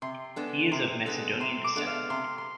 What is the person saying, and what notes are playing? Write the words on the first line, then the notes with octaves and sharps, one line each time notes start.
He is of Macedonian descent.
C3 C6
G#3 B3 D4 A4
C3 C6
G#3 B3 D4 A4
C3 C6
D6
G#3 B3 D4 A4
F5
C3 C6
C6